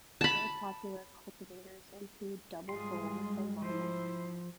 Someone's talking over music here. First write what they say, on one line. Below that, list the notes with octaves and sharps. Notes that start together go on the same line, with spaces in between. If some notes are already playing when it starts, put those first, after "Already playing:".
Other popular cultivars include 'Double Gold' and 'Marmalade'.
A5 B5
G#2 G3 G#3 F4 G#4 C6
F3 E4 C5